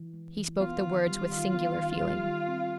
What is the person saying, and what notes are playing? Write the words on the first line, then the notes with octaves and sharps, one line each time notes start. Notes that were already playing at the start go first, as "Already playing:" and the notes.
He spoke the words with singular feeling.
Already playing: E3
G#3
E3
B3 F4
D#3
G3
D#3
B3
D#3
G3
D#3
C4